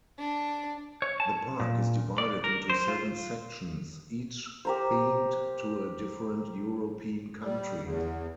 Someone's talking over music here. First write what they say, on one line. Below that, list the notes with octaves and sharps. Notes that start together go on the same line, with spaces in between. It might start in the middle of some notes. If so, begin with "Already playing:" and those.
The park is divided into seven sections, each themed to a different European country.
D4
C#5
A5
A#2
D5
A#4
C5
F4
G4 A#4 C5
G3
E2